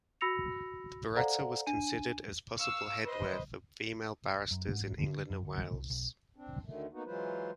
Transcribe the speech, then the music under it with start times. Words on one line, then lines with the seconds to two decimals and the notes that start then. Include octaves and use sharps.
The biretta was considered as possible headwear for female barristers in England and Wales.
0.21 F#4 B5 E6 A#6 C#7 F7
1.16 A4 C5 D5 F5 F#5 A#5
1.66 D4 G#5 D#7
2.58 F5 C#6 E6
3.04 B4 C5 D#5
4.51 F#2
4.71 G#2
4.98 D3
5.30 F#2
5.45 D2
5.72 C2
5.90 B1
6.36 C4 D4
6.65 D2 D3 D#3 A3
6.93 A#3 B3 D#4 F#4
7.06 E3 F#3 G#3 F4 B4 C5